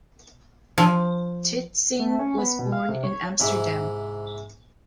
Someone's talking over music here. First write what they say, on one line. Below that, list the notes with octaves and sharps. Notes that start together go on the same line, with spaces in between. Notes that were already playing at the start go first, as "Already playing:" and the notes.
Titsingh was born in Amsterdam.
F3
A3
C#4
B3
B2
F5
C3
C#5
G#2 C3 E4